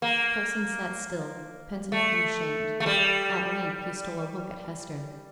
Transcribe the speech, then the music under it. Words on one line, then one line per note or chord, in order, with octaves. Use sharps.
Coulson sat still, penitent and ashamed; at length he stole a look at Hester.
A#3
A3
A3
G3